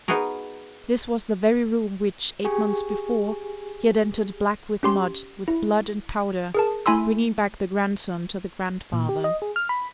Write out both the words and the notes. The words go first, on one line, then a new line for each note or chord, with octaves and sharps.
This was the very room which, eight months before, he had entered black with mud, with blood and powder, bringing back the grandson to the grandfather.
B3 D#4 F#4 G#4 A#4
G4 G#4 G#5 C#6
C#4 G4 C6
E4
G#4 A#4 A5
A3 E4 G#5 B5 C6 E6
A#2
G4
D#5
G#4
F6
B5